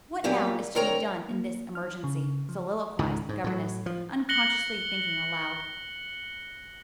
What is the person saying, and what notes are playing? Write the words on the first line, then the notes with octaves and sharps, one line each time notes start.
"What now is to be done in this emergency?" soliloquized the governess, unconsciously thinking aloud.
A#2 F#3 A#3 F4 G4
D2 C4 A#4 C#5 A#5
A#3
F6
C#3
F3
C#2 G#2 D#3
G#2
A2 F#3
F3
F#6 A#6 C#7 F#7 G7